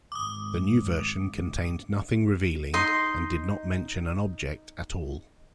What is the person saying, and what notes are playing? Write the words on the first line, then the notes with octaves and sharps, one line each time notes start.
The new version contained nothing revealing, and did not mention an object at all.
G#1 D6 D#6
D#4 D#5 C6